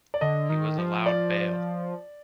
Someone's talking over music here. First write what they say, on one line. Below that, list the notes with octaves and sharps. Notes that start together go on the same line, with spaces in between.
He was allowed bail.
D5
D3 D#5
D#3
F3
D5